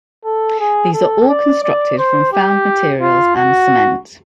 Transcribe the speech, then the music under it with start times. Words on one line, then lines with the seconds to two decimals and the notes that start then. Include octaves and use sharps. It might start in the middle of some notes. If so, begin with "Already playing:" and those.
These are all constructed from found materials and cement.
0.25 A4
0.60 G#4
0.93 A4
1.28 D5
1.64 D5
1.98 C5
2.33 G4
3.01 F4
3.35 F#4